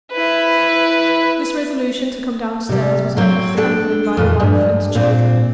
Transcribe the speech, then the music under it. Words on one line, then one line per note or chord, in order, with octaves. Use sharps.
This resolution to come downstairs was heard with trembling by the wife and children.
E4 B4
C3 G3
F#3 C4
D4 A4 G5
F2 A#2 E3
G2
A#2 C4